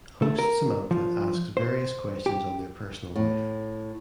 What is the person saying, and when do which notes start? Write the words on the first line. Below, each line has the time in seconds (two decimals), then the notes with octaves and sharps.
Host Samantha asks various questions on their personal life.
0.22 A3
0.39 A#4
0.91 F3
1.57 C5
2.26 G4
3.16 A2